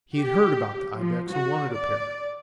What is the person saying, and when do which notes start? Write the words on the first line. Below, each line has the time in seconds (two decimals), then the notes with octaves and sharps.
He had heard about the ibex and wanted a pair.
0.17 G4
0.96 F3
1.31 F#4
1.72 D5